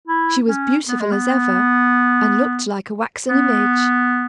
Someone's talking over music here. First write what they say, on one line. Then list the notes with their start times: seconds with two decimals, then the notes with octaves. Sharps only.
She was beautiful as ever, and looked like a waxen image.
0.08 E4
0.48 C#4
0.88 B3
1.00 G#3
1.12 B3
3.29 B3